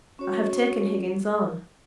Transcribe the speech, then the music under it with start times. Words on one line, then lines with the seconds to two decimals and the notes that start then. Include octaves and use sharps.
I have taken Higgins on.'
0.19 C#4 F#4 C#5